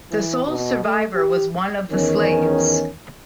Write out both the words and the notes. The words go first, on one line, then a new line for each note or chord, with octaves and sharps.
The sole survivor was one of the slaves.
E3
B2
A3
G4
E2 D#3 C#4